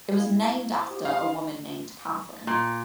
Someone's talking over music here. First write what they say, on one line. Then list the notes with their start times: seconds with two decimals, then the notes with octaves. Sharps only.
It was named after a woman named Kathryn.
0.15 E4 F5 C6
0.67 C5 B5
0.88 G4 D#6
1.05 F5
2.47 A#2